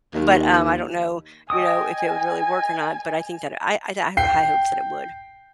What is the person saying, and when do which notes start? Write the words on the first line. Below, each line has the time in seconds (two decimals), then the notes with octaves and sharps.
But, um, I don't know, you know, if it would really work or not, but I think that I I I have the high hopes that it would.
0.14 D#2
1.50 D#5 G5 G#5 D#6
4.17 G5 C7